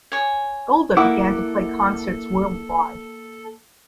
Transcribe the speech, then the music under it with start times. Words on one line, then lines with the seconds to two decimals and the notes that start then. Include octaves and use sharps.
Gulda began to play concerts worldwide.
0.12 C#5 G#5
0.97 A#3 E4 A4 F#5 D6